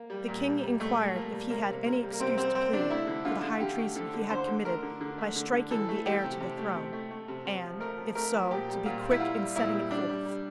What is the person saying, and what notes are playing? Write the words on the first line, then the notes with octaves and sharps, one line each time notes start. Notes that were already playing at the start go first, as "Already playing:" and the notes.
The king inquired if he had any excuse to plead for the high treason he had committed by striking the heir to the throne, and, if so, to be quick in setting it forth.
Already playing: A#3
G3
A#2
G3
G3
A#2 A3
G3
A#2 A#3
G3
C3 A#3
C3
C3 A#3
G3
A#3
C3 C4
G3 C4
G3 C4
C3 D4
A3 E4
D3
D3 F4
D3
D3 G4
A3
D3 A4
D3
D3 C5
D3
A3 A#4
D3
D3
A3
D3
D3
E3 A4
A3
E3 G4
C3
C3
A3
C3
A3
A3
C3
C3
F3
A3 A#4
F3
A3 A#4
F3
A#2 G4
G3
A#2 F4
G3
E4
G3 F4
G3
A#2 E4
G3
G3 D4
G3
G3